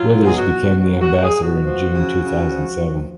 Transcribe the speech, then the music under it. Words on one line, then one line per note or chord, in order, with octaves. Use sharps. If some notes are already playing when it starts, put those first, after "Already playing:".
Withers became the ambassador in June two thousand seven.
Already playing: F#3 F4
B2 G#4
F#4
B2
F#3 F#4
F#4
F#3
G#4
B2
F#4
F3
C#3
C#3
F3
F3